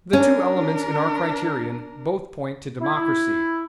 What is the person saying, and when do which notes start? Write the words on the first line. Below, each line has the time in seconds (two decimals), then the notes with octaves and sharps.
The two elements in our criterion both point to democracy.
0.13 C#4 D4 A#4
2.80 E4